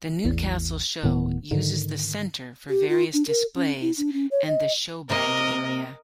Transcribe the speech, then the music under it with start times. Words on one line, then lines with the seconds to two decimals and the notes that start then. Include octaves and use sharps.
The Newcastle Show uses the Centre for various displays and the showbag area.
0.24 A1 E2
1.03 D1 A2 D#3 B3
1.51 G#2 D3 D#3
2.69 G4
2.89 F4
3.14 D4
3.28 A#4
3.55 C#4
3.81 E4
3.98 D4
4.13 C#4
4.31 C#5
4.48 D#5
5.10 C3 A#3 A#4 D#5